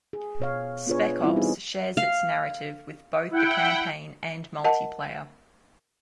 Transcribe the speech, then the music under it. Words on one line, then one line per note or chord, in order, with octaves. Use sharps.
Spec Ops shares its narrative with both the campaign and multiplayer.
G#4
B2 C#5 F5
B3 D4 F4 G#4 B4 C#5
E3 G3 C4 C#4 E4 F4
B3 D#4 G#4
F5
E4 F#5 G5
A#4 D#5 F#5 A5